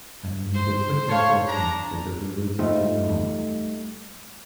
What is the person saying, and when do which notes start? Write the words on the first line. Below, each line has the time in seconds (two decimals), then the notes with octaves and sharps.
And we need a quick enforcement, because we waited too long.
0.54 C5
1.09 A4 C#5 F5
1.48 D4 A#5
2.59 G3 A3 D#4 F4 C5